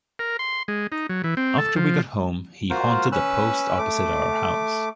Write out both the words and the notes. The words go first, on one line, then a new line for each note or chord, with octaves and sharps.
After we got home, he haunted a post opposite our house.
A#4
C6
G#3
D#4
F#3
E3
C4
A4
F3
F4 F#4 A#4 C5
C#4 B4 E6 F#6
A3 D6